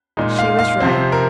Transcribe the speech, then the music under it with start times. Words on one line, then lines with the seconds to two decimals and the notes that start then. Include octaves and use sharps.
She was right.
0.17 A#2 G#3 D#4
0.38 F5
0.59 F5
0.80 C3 F3 C4
1.12 A#4